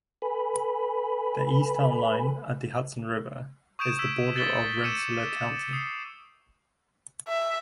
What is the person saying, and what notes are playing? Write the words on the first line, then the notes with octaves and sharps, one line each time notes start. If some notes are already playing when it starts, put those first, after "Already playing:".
The east town line, at the Hudson River, is the border of Rensselaer County.
A4 B4 G#5 B5
C#6 D#6 G6 G#6 D7 E7
E6 G#6 B6
G#6 A6 B6 C#7 F#7 G7
D6 E6 G6 C#7 D#7 E7
D#6 C7
E5